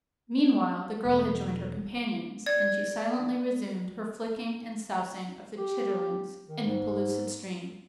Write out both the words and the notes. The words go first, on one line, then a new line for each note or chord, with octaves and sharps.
Meanwhile the girl had joined her companions, and she silently resumed her flicking and sousing of the chitterlings in the pellucid stream.
E1 A3
D5 G#6
G4
D#3
G#2